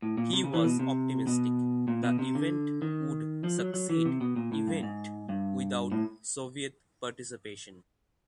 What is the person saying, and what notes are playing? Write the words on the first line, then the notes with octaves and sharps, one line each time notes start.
He was optimistic the event would succeed event without Soviet participation.
A2
A#2
C3
C#3
E3
B2
C3
B2
A#2
B2
C3
D3
D#3
F3
F#3
F#3
E3
C3
B2
A#2
A2
G2
G#2
G2
A2